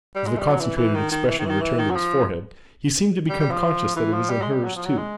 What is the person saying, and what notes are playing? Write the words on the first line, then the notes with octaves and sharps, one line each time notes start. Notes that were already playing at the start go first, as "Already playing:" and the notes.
As the concentrated expression returned to his forehead, he seemed to become conscious that it was in hers too.
G3
G#3
G3
F#3
E3
E3
D#3
D#3
E3
D#3
E3
D#3
E3
D#3
F#3
F3
G3
G3
F3
E3
F3
G3
G#3
G3
F#3
F3
F#3
G#3